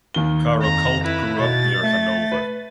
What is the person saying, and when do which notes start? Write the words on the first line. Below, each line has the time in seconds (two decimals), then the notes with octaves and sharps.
Caro Cult grew up near Hanover.
0.14 D#2 D#3 G7
0.62 F2 A#5
1.04 E4 B4
1.40 B2 A6
1.83 A3
2.32 B4